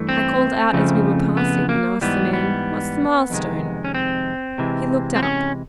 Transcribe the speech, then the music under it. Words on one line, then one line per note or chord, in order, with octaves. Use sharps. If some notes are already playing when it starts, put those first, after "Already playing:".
I called out as we were passing, and asked the man, "What's the mile-stone?" He looked up.
Already playing: G2 E3 A3
C4
F2 C#3 F3 A3
B3
A#3
G#2 E3 G3 B3
B3
F2 C3 D#3 G#3
C#4
C4
C3 E3 G#3
C4
C#4